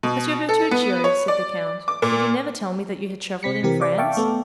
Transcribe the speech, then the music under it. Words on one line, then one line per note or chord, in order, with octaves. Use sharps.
"Monsieur Bertuccio," said the count, "did you never tell me that you had travelled in France?"
B2
A4
B3
C#5
D5
D6
A#2
C3 C4 B6 C#7
C3 E3 C4 G4 A#4
D5 D6
E5 F5 G5 A5 C#6 D6
A3 B3 A4